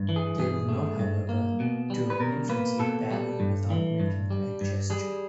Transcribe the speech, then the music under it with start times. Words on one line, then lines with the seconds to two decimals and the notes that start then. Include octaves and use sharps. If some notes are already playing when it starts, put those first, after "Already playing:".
They will not however, during infancy, babble without making a gesture.
Already playing: G2
0.09 E3
0.16 G#4
0.39 G2 G#4
0.69 A3
0.99 G2
1.29 A#3
1.60 B2
1.90 G3
2.10 B4
2.20 B2 A#4
2.49 A#3 B4
2.79 B2 A4
3.11 G3
3.40 G2
3.70 E3
4.00 G2
4.30 G3
4.61 G2
4.90 G3 G#4